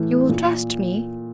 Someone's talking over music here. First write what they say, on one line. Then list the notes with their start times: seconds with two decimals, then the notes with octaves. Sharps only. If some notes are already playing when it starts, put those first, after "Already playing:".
You'll trust me?
Already playing: A2 E3
0.29 A#2